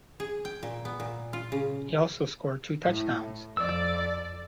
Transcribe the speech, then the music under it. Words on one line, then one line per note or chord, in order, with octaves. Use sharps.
He also scored two touchdowns.
G#4
G5
A#2
B3
A#2
F4
C#3
A2
F2 D5 E6